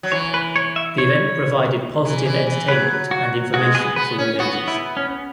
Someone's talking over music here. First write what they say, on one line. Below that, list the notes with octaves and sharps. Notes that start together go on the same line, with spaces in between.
The event provided positive entertainment and information for all ages.
F#3
E3 C#5
B4
C#5
E5
C#5
E3
E3
E3
F#3 B4
F#4
G#3 F#4
B3 G#4
B3 B4
C#4
B3 F#4
E4
C#4